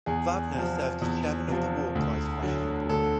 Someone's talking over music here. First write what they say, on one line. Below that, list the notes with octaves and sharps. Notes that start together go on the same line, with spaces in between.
Wagner served as chairman of the War Price Rationing Board.
E2 G#4
C3 F3
E2
C3 F3
D2
D3 F#3
D2 A4